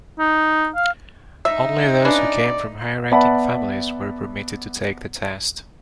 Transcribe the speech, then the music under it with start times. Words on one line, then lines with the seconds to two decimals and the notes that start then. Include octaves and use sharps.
Only those who came from high-ranking families were permitted to take the test.
0.19 D#4
0.76 F5
1.45 D#4 E5
2.05 C#4 D4 B4 D5
3.12 B3 D5 E5 F#5 A5 B5